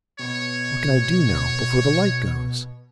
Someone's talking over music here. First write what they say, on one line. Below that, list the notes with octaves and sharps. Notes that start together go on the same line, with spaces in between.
What can I do now, before the light goes?'
B2 C#5